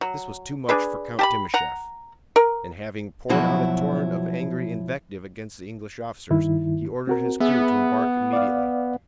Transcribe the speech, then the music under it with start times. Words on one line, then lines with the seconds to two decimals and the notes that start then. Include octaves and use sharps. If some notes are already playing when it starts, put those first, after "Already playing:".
This was too much for Count Timascheff, and having poured out a torrent of angry invective against the English officers, he ordered his crew to embark immediately.
0.01 F#3
0.69 D4 G#4 B4
1.19 G4 A5 B5
1.54 F#5 A#5
2.36 A#4
3.29 B2 F3 F#3 E4 F#4
6.30 G2 D#3 E4
7.07 C4 F#4 A#4
7.40 B3 G#4 E5
8.33 D5 F5